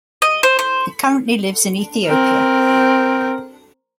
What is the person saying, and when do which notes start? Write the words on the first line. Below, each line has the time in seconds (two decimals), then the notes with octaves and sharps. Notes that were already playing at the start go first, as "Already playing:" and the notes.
He currently lives in Ethiopia.
0.22 D#5
0.43 C5
0.59 C5
2.06 C4 A#4